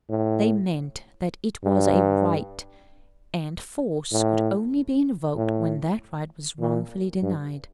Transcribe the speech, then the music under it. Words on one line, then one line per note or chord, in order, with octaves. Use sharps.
They meant that it was a right; and force could only be invoked when that right was wrongfully denied.
A2
G2
A2
A2
A#2
G2